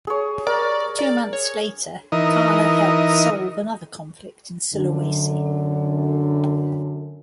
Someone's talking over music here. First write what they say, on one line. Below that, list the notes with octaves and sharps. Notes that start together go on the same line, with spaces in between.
Two months later, Kalla helped solve another conflict in Sulawesi.
G#4 C#5
A#4 D5 A#5
D5
C#5
E3 D#4 A#4 D#5
F#2 D3